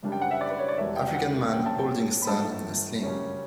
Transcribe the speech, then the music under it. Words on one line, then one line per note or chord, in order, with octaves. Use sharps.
African man holding son in a sling.
F#2 C#3 G3 D4
G5
F#5
E5
D5
B4
C#5
D5
E1 E2 B2 G3 B3 E5
G5
F#5
G2 F#3 C#4 G5
A5
G5
B5
G1 G2 F#3 A3 A5
F#2 C#3 G3 C#4